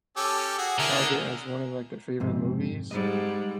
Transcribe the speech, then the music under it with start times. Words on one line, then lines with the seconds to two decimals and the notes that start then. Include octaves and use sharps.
have it as one of, like, their favorite movies,
0.17 C#4 G4 A4
0.58 F#4 G#4
0.79 D3 E4 G#4 A#4
2.20 F2 G#2 C3
2.91 G#2 G3 D#5